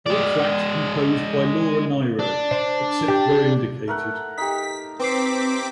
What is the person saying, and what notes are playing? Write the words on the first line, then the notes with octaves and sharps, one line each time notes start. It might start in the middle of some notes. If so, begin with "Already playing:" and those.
All tracks composed by Laura Nyro, except where indicated.
G#3 D5
D4
C5
G4
A3 A#4 F#5
D#4 G4 B6
C4 B4 D6 B6 C7